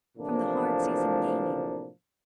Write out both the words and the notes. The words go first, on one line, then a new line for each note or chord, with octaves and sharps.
From the hard season gaining?
A2 C3 E3 F3 A#3 D4